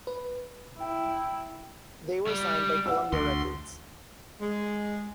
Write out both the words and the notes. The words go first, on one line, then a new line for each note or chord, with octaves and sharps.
They were signed by Columbia Records.
B4
E4 G5
C#2 G3
F#5 E6
D2 C6
G#3